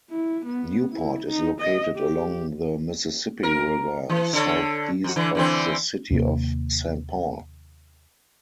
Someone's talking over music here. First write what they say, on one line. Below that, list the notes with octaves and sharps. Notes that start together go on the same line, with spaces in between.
Newport is located along the Mississippi River, southeast of the city of Saint Paul.
E4
B3
E4
D#4
D#5
G4
A#4
E3
D3 A4 C#5
F2 F#4
D3 E3
D3 E3 C4
D#2 C3 A#3